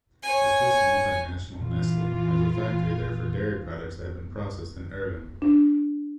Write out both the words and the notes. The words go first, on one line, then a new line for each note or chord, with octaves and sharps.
The Swiss multinational Nestlé has a factory there for dairy products that have been processed in Ergun.
C#5 G#5
A#2 E3 F4
D4